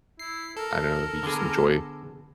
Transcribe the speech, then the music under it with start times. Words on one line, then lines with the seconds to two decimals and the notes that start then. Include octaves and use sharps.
I don't know, we just enjoy
0.19 E4 C7
0.56 A4 A#4
1.23 D3 B3 G#4